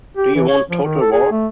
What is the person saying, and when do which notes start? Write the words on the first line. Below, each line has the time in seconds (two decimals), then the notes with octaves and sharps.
Do you want total war?
0.17 G4
0.35 E3
0.49 C#5
0.70 F3
0.83 D#3
1.01 A4
1.13 G#4
1.32 A3